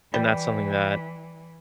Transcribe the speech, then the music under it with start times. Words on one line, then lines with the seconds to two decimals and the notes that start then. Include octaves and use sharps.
And that's something that
0.14 E3 G3